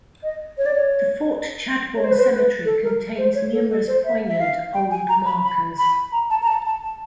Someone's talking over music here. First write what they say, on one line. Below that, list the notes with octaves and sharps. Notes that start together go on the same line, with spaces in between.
The Fort Chadbourne Cemetery contains numerous poignant old markers.
D#5
C#5
D5
C#5
C#5
C5
B4
C5
B4
A4
A#4
C5
C#5
A4
A4
C5
E5
E5
F5
G5
G#5
A#5
B5
B5
B5
A#5
A5
A#5
A5
A5
A5